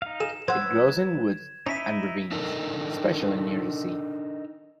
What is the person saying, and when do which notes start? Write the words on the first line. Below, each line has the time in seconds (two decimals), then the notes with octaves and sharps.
It grows in woods and ravines, especially near the sea.
0.02 D#4 F5
0.20 G#4 E7
0.48 F#3 B4 C5 F#5 E6 G#6
1.67 C#4 D#4 E4 E5 A#6 B6 D#7
2.32 D4 D#4 A4 A#4 D#5